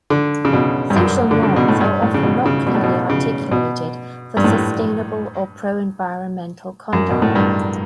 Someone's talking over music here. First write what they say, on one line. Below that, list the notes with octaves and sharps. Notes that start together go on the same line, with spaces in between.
Social norms are often not clearly articulated for sustainable or pro-environmental conduct.
D3
C#3
B2
G2
F#2
D3
C#3
B2
A2
G2
A2
C#3
B2
C#3
B2
A2
B2
C#3
B2
G2
A2
G2
F#2
B2
A2
G2